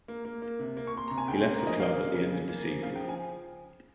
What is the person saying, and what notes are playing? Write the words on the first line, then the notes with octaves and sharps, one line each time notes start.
He left the club at the end of the season.
A#3
A#3
A#3
C3
A#3
C#6
A#3 C6
C3 A#5
G#5
C#3 G5
C6
A#3
A#5
F3 D#5
A#3 F5
C#3
C#3
C#3
A#3
F3
C#3 F5
G5
F3
G#5